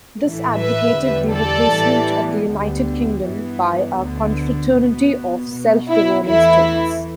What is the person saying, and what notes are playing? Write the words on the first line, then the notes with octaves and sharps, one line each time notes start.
This advocated the replacement of the United Kingdom by a 'confraternity' of self-governing states.
A2 E3 A3
B4 E5
E2 D3 G3
A4 D5
A2 E3 G3 B3
D2 D3 G3 B3
G2 E3 B3
D2 D3 B3
B2 B3
B2 B3
E4
E2 E3 A3 E4